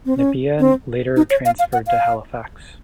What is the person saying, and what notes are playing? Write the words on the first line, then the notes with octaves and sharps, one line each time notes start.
Nepia later transferred to Halifax.
C4
C#4
C4
D#4
C#5
F5
F5
F#5
F5